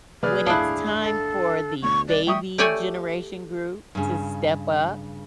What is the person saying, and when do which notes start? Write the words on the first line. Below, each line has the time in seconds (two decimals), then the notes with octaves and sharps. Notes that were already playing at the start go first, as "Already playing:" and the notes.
when it's time for the baby generation group to step up,
0.23 C3 F#3 A#3 G#4 B4 D5 F6
0.46 G1 D#2 A2 D4 E4 F5 D#6 F#6
1.01 A4
1.82 D2 A3 B3 C#6
2.08 C2 D5
2.27 G3 A3 E5 G5 C#6 D#6
2.58 A3 G4 A4 C#5 D5 G#5
3.95 G2 C#3